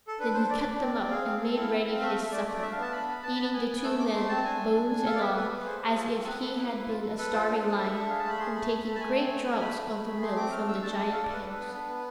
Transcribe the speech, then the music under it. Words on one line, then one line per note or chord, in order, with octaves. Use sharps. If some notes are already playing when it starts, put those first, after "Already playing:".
Then he cut them up, and made ready his supper, eating the two men, bones and all, as if he had been a starving lion, and taking great draughts of the milk from the giant pails.
A4
D4 B4
D4 C5
D4 D5
D4
C4
C4
G#4 F5
C4
A4
E4
C4
C4
A3 E5
A3
A3 D5
A3 D5
D4 E5
F5
B3 A5
D4 B5
B3
B3 A5
B3 B5
A5
B3 G#5
B3
A3 E6
A3 D6
A3 C6
C4 A5
D4 G#5
D4
D4
D4
A4 F5
D5
B3 E5
A4 B4
B3
G#4 C5
G#4
F4 A4
C4
B3 B4
A4
E4
E4
F4
A4
A4 B4
F4 C5
D4 C5
D4
A4 E5
D4
G#4 F5
A5
A3 B5
G#4 C6
A3 B5
A3
A3
A5
A3 G#5
C4
A3
A3
A3 B5
A3
A3
G#4
A3 C6
C4 D6
A3 F6
D4 E6
A3 A5
D4
A4 F5
D5
A4 B4
D4
B3
D4 B4
B3